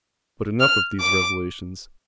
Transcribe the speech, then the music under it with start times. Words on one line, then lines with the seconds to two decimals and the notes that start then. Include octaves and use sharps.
But enough of these revelations.
0.60 F6
1.00 D6